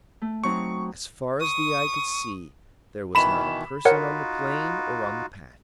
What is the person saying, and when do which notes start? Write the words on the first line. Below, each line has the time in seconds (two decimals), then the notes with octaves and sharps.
As far as the eye could see there was not a person on the plain or on the path.
0.22 A3
0.44 F#3 C4 D#4 C#6
1.40 C#6 D#6
3.15 B2 D#3 E3 B5 E7
3.85 D#4 F4 F#4 A#4 C#5 F#5